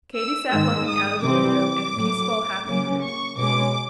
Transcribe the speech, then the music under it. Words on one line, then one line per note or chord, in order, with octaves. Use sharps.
Katy sat looking out of the window in a peaceful, happy mood.
E6
G#2 D#3 G#3 E6
D#6
C3 E3 G3 C4 D6
A2 F#3 A3
C#3 F#3 A#3 C#4 D6
C#6
B2 G#3 C#4 D6